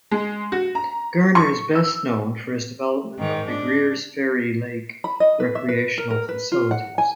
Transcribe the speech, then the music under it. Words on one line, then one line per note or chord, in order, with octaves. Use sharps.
Garner is best known for his development of the Greers Ferry Lake recreational facilities.
G#3
F#4
A#5
C#6
E6
G#2 D#3
D4
B5
D#5
B4
E5
B4
A#4
A#4
B4
F4
F#5
G#5